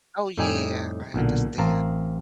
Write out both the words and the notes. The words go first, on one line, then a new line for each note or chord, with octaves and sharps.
Oh, yeah. I understand.
F2 A2 G3 D#4 G4 G#5
B1 A#2 D3
A1 C4 A#4 F5 A5 A#5